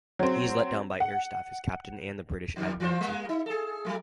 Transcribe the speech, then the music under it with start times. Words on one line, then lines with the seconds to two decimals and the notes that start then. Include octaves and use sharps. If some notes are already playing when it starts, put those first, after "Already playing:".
He is let down by air staff, his captain, and the British Admiralty.
0.19 F#3 C4
1.00 F#5
2.56 F2 D#3 G3
2.80 E3 F4 C5
3.01 G3 G#3 A#3
3.29 D#4
3.46 G#4 A4
3.85 F#3 G3 A3